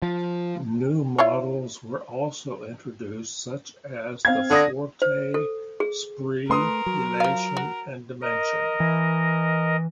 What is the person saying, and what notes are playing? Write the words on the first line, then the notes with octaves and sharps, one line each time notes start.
New models were also introduced, such as the Forte, Spree, Elation and Dimension.
F3
E4 F4 C#5
C4 F5 G#6
D3 D5 D#6 A#6
C5
A4
G#4
A3 A#4 B4 C6 D#6
F#3
F3 F5
F#4
A#4 D#5
E3